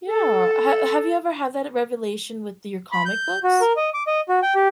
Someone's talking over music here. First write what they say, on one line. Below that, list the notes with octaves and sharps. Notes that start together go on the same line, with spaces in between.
Yeah, h have you ever had that revelation with your comic books?
A4
B5
G6
F#4
A#4
D#5
D6
D#5
F#4
G5
G4